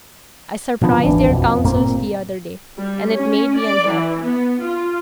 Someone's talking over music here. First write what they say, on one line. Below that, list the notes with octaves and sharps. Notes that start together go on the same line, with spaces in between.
I surprised their councils the other day, and it made me unhappy.
A#2 D3 F3 B3
D#1 G#1 E3 D4
A#1 F2 B2
F2
G1 A#2 A#3 C4
G3
C#4
D5
E3
B3
F4